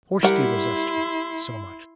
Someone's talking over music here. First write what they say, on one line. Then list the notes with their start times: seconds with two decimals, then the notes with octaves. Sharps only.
Horse-dealer's estimate, so much.
0.23 G3 E4 A#4 F#5 C6